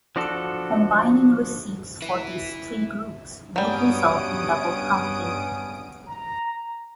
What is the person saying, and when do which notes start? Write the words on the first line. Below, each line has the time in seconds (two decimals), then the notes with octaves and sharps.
Combining receipts for these three groups would result in double-counting.
0.16 F3 D4 F#4 A4
2.02 E4 B4
3.56 G2 F#3 G3 B3 C#4 D#6 D7
6.08 A#5